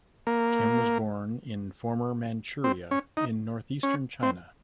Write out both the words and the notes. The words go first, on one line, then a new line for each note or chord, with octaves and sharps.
Kim was born in former Manchuria in northeastern China.
A#3
C4
C#4
D#4
C#4
C4